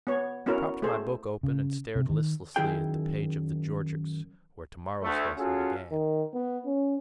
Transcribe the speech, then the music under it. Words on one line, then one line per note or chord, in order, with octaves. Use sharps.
I propped my book open and stared listlessly at the page of the Georgics where to-morrow's lesson began.
B3 C#5
B3 C#4 E4 F#4 A#4
A3 G#4 C5
C#3
C3
D#3
F#2 D#3 E4 G#4 G5
D2 A3
C#4 F4 F#4 G#4 A4
D#3
B3
C#4